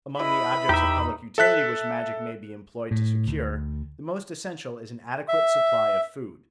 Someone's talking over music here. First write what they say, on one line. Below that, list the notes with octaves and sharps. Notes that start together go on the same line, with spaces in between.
Among the objects of public utility which magic may be employed to secure, the most essential is an adequate supply of food.
E4 B4 D#5 B5
E2 D#4 G4 E5
A4 E5 F#6 B6
A2
D2
E5